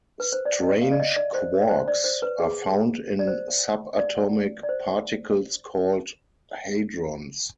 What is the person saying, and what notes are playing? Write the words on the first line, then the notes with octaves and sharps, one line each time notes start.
Strange quarks are found in subatomic particles called hadrons.
B4
C5
D5
D#5
F5
D5
D#5
D5
C5
D5
C5
D5
C5
B4
G#4
D5
C5
D5
D5
C5